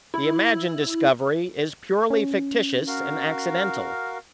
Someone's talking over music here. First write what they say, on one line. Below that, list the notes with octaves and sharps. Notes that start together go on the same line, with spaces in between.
The imagined discovery is purely fictitious and accidental.
E4
C#4
F#4 A#4 F5